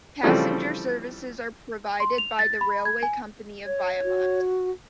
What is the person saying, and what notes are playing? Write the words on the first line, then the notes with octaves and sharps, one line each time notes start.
Passenger services are provided by the railway company of Viamont.
C#3 E3 F3 G3 A3 C4
C6
F7
A6
B5
G#6
G#5
C#5
F#4